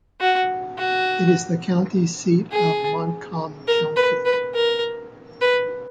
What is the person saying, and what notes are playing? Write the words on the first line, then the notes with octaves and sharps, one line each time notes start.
It is the county seat of Montcalm County.
F#4
F#4
G#4
A#4
B4
B4
A#4
B4